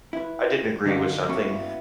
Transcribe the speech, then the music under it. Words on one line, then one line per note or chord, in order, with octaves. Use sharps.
I didn't agree with something
E4 B4
D3 D4 D#4 F#4 F5
A#3 B3 C#4 E4 F#4